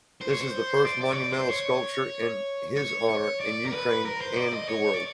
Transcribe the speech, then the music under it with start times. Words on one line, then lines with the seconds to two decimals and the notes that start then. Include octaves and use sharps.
This is the first monumental sculpture in his honor in Ukraine and the world.
0.21 C5
0.31 C#5
0.41 C5
0.85 D5
1.01 D5
1.13 C#5
1.17 D5
1.33 C5
1.50 C#5
2.77 C#5
3.09 C#5
3.41 D5
3.66 A#4
3.73 B4
4.05 A#4
4.21 C5
4.37 D5
4.53 D#5
4.69 C#5
4.95 D5